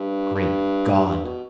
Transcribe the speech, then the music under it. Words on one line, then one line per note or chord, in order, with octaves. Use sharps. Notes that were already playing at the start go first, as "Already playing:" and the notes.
Great God!
Already playing: G2
G2
G2
B2